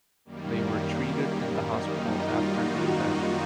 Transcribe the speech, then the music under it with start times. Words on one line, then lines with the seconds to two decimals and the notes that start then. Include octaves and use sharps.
They were treated in the hospital after the event.
0.25 F#2 D#3 G3 A#3
1.73 D#4
2.09 F4
2.47 F#4
2.83 D#4